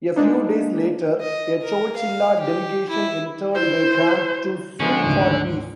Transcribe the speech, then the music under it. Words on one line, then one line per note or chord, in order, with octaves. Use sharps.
A few days later, a Chowchilla delegation entered their camp to sue for peace.
G#3 A#3 D4 D#4
D#5
A#4
F5
G4
E4
E4 C5
D3 F3 G#3 C#4
G#1 D2